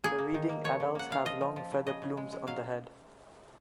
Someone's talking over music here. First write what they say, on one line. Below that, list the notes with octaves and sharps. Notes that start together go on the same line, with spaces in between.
Breeding adults have long feather plumes on the head.
A#3 G#4
A#3
D#3
A#3
F3 C#5
C#3
A#3 F#5
C#3 F5
F3 D#5
F3
F3
C#3
C#3 D#5
C#3
G#3
G#3
F#3 F5